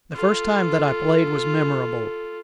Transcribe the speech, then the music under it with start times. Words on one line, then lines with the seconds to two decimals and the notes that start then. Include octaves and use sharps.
The first time that I played was memorable.
0.14 F4 A4